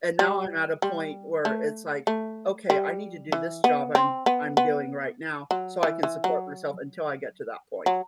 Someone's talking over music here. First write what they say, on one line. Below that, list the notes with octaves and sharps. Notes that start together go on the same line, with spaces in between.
and now I'm at a point where it's, like, okay, I need to do this job I'm I'm doing right now, so, I can support myself until I get to that point.
G3
G3
A3
A3
G3
E3
B3
C4
B3
B3
F#3
E3
E3
F#3
F#3